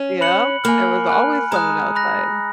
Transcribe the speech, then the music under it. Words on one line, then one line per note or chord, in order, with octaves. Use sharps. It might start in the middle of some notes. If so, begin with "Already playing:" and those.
Yeah, there was always someone outside.
Already playing: C#4
B5 F#6 C#7 F#7
A#3 G#5 B5 F6
G#5 B5 F#6
G#3 A#5 D#6 F#6
B5 F#6 A#6